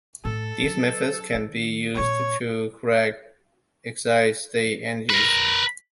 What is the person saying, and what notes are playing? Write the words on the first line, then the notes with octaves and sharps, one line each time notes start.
These methods can be used to correct excited state energies.
A2 A4
F#3
D#3
A#2 C#3 C#5
A#4 B4